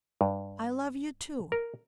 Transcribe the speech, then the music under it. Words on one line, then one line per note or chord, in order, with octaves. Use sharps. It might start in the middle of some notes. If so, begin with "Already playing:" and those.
I love you too....
G2
A#4